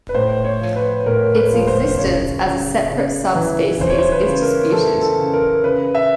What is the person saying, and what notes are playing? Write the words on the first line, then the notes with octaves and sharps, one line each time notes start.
Its existence as a separate subspecies is disputed.
B4
A2 C5
C#5
F3
B4
A2 A#4
B4
F3
C5
C#3 C#5
C#3
C#3
E3
E3 C5
C#5
C5
B4
C#3
A#4
E3 A4
A4
C#3
A#4
C#3 B4
E5